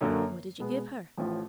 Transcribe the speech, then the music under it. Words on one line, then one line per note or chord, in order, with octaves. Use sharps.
'What did you give her?'
F#2 D3 F#3 A#3
B2 G#3 B3
A1 A2 F3